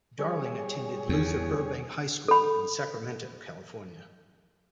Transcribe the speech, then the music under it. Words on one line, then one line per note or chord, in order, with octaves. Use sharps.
Darling attended Luther Burbank High School in Sacramento, California.
G3 G#4 C#5
E2
A4 B5